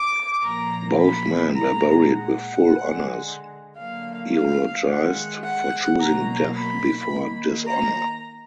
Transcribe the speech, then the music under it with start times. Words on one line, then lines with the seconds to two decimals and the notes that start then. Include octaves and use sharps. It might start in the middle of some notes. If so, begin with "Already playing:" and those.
Both men were buried with full honors, eulogized for choosing death before dishonor.
Already playing: D6
0.43 A#2 F3 A#3 A#5
0.99 B5
1.55 A#2 G#3 A#5
2.11 F#5
2.67 D3 G#3
3.77 D3 F#3 A#3 F5
4.33 F5
4.89 D#3 G#3 F#5
5.44 F#5
6.00 B2 F#3 A#3 A#5
6.56 B5
7.11 D#3 A#3
7.67 A#5